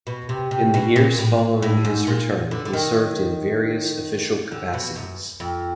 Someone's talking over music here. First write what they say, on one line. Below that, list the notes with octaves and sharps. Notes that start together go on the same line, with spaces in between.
In the years following his return he served in various official capacities.
B2
C3
C3
B2
A#2
A2
A2
G#2
A#2
D3
D3
D#3
D3
B2
F#2
F2